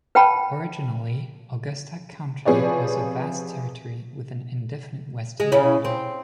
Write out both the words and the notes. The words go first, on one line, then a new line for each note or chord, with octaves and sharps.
Originally, Augusta County was a vast territory with an indefinite western boundary.
B4 F#5 G5 A5 B5
C3 F3 G#4 B4 C#5 D5
G#3
C#3 C#4 E4
C4